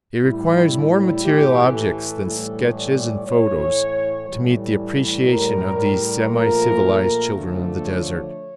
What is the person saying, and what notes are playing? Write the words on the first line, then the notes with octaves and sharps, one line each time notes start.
It requires more material objects than sketches and photos to meet the appreciation of these semi- civilized children of the desert.
A2 G3 E4
A2 E3 A3 G4
A4
A2 E3 G3
D5
A2 E3 A3 C#5
A2 E3 G3
A2 G3 A#4
A#2 F3 A3 A#4
D3 F3 A3
C#5